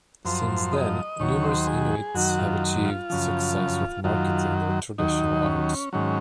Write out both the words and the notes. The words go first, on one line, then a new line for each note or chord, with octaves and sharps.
Since then, numerous Inuit have achieved success with marketing their traditional arts.
F#2 F3 C5
D#5
D#2 D#3 F#3 C#5
C5
G#4
F#2 D#3 F#3 F#4
F4
F4
F#2 C#3 F3
F#2 D#3 F#3 F4
D#2 D#3 F#3 D#4
C#4
G#2 D#3 F#3 C#4